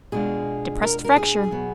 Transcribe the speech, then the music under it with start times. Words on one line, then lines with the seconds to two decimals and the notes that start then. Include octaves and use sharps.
Depressed fracture.
0.12 B2 G#3 D4 F4 G#4
0.82 A#4
1.04 A#4
1.16 G#4
1.51 B2 F#3 B3